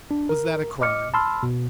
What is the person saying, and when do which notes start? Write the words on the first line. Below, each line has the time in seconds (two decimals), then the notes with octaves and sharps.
Was that a crime?
0.11 D4
0.29 A#4
0.81 D#5 D6 F6 C#7
1.14 A5 B5 C6 E6 F6
1.43 B2